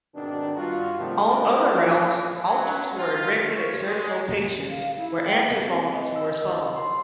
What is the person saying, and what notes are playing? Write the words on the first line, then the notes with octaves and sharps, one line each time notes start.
On other routes, altars were erected at certain locations where antiphons were sung.
G#1 B2 D#3 D4
G2 F4 F#4
C3 D#3 F3 G3 A3
A#3 C4 C#4 F4 A#4 B4
F3
F#3
F4
C#5
G#3
C#4
F5
E4
G5
C4
D#5
E6
D#5
C6